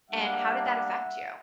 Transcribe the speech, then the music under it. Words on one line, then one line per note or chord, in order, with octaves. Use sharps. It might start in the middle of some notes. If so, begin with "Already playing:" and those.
and how did that affect you?
G3 A#3 D4 E5 F#5